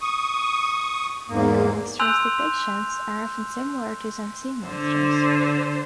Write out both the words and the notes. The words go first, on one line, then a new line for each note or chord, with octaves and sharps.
Lake monsters' depictions are often similar to some sea monsters.
C#6 D#6
E2 G#2 A#3
G#5 C6 E6 F#6 G6 F7
D3 C5